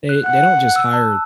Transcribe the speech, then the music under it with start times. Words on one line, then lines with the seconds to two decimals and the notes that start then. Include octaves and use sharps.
they they don't just hire
0.09 F#6
0.26 F#5 F#6
0.76 E6
0.93 A5